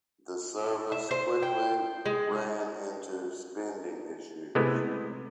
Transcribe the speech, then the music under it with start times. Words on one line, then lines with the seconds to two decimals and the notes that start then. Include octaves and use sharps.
The service quickly ran into spending issues.
0.92 E5
1.11 C5
1.43 G5
2.06 G#3
4.55 C3 G#3 A3 B3 E4